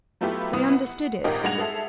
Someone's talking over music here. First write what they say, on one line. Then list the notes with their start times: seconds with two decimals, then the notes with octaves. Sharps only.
They understood it.
0.21 F#3 A3 B3 E4 F4 G4
0.53 C2 B3 E4 D#6
0.72 F#5
1.24 G#1 A#2 G4 A#4 D#5
1.44 G2 G#3 F#5 G#6 A#6 F7
1.58 G#3 G#4 A4 E5